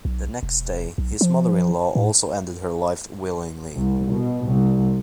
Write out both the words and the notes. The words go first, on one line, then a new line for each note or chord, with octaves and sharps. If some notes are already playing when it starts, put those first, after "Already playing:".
The next day, his mother-in-law also ended her life willingly.
B1
E1
B1
F3
A2
C2
B2
C2